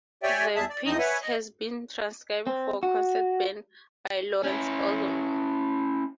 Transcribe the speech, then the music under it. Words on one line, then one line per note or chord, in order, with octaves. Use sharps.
The piece has been transcribed for concert band by Lawrence Odom.
G4 C#5 D5 E5 G5 G#5
E2 G3 G#4 E5 A5
D5
E2 F3 C4 D#4 D#5 D#6
B4 C#5 E5 F#5 G#5
D#5
C4
F#4
C#4 E4